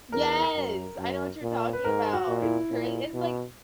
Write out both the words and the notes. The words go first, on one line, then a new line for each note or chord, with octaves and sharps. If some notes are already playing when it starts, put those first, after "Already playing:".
Yes! I know what you're talking about. It's great it's, like
E2 A#4
F#2
F#2
A#2
B4
G#2 A#4
F#4
A#2
E4
A#2
B2